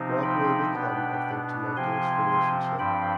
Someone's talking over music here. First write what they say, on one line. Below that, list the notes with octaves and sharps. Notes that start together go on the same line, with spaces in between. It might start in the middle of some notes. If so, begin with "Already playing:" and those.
What will become of their tumultuous relationship?
Already playing: C3 F3 C4 D#4
G5 B5
B2 B3 D4
C3 F3 C4 G#5 C6
G2 F3 C4 G5 B5